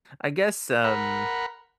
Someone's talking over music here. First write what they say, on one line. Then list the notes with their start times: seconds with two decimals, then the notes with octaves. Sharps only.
I guess, um
0.84 A#4 F#5 B5